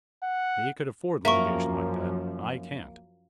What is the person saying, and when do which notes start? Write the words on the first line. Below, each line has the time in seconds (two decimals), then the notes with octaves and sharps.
He could afford litigation like that; I can't.
0.23 F#5
1.25 F#2 F3 A#3 A#4 E5 C#6